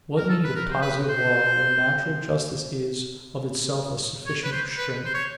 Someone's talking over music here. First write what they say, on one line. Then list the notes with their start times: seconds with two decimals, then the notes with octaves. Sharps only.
What need of positive law where natural justice is, of itself, a sufficient restraint?
0.17 A#4
0.29 A4
0.44 B4
0.56 A#4
0.70 C5
0.82 B4
1.09 C5
4.26 C#5
4.44 B4
4.52 C5
4.78 B4
5.05 C5
5.14 C#5